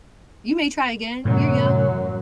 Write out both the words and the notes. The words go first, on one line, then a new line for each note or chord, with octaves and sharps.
You may try again, you're young.
F#2 A2 C3 E3 F#3